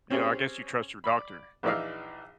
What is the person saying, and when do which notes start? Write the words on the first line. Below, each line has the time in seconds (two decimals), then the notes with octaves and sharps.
you know, I guess you trust your doctor, but
0.10 C4 C#4 G4 G#4 C#5
1.04 D5 B5
1.63 A#1 E3 D#4 D5 E5 F5